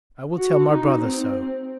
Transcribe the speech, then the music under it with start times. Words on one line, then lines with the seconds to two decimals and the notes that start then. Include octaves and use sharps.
I will tell my brother so.
0.37 F#4
0.69 D#4
1.01 C4